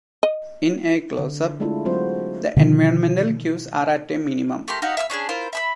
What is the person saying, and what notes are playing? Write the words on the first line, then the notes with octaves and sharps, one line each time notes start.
In a close up, the environmental cues are at a minimum.
D#5
D3
G#3 A3 D4 E4 F4 A4
F#3 G#3 C4 F4 F#4 C5
B2 D3 D#3 F3
A3 A#3 G4 C6
D#4 F#4 G4 F5
E5 F5 D6 E6
C#4 D4 F#4 G#4
E4 F4 A#4 C5
E5 B5 E6